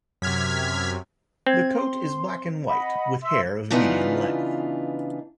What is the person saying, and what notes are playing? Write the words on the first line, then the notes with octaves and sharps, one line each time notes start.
The coat is black and white with hair of medium length.
F#2 C3 F6 G#6 B6
C4 G#6
C6
D#5 F#5 B5
E5 C6 E6
C#3 E3 B3 D4 D#4 F4